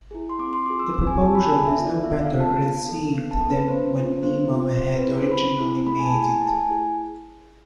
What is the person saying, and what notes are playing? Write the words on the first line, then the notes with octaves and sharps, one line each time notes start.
The proposal was no better received than when Nimmo had originally made it.
E4 G#4
C6
C4 D6
C6
F4 G#4 D6
E6
C4 E6
G#5
F4 G#4 A5
B5
A5
B3 G#5
E5
D4 F4 A4
D5
B3 E5
F5
D4 F4 A4
A5
B3
D4 A4
B3
A5
D4 A4
B4
B3 C5
D4 F4
B3 C5
D4 F4
C4 C5
B4
E4 G#4
C5
C4 B5
E4 G#4
A3 B5
G#5
A5
E4 G#4
G#5
A3 A5
G#5
E4 G#4